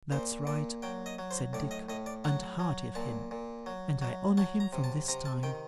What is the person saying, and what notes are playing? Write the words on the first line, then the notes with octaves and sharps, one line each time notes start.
'That's right!' said Dick; 'and hearty of him; and I honour him from this time.
A#2 C5
A#2 D5
F#3 G5
D#5
F#3
C5
A2 D5
D#5
A2 D#5
D5
F#3 F#5
F#3
A#2 A5
A#2
F#3
F#3
F#3 A5
A#5
C3
A5
C3 A#5
A5
D#3 G5